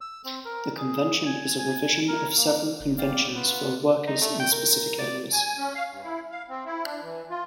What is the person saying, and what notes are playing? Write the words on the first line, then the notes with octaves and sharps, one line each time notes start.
The convention is a revision of several conventions for workers in specific areas.
E6
C4
A#4
G#4
G#5
G#5
A#4
A#3
F#1
G4 D5 F5
B3
F4 B4 F#5
D#4
A3
G5
A#4
D5
G#5
C#4
F5
G2
E4
F5
C4
E4
D4
E3
F4